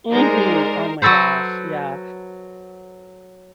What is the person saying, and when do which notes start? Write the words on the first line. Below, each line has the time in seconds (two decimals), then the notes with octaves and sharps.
Mhm. Oh my gosh. Yeah.
0.12 G#3 D#4 A#4 C5 D5
1.02 F#3 F#4 A4 B4 C5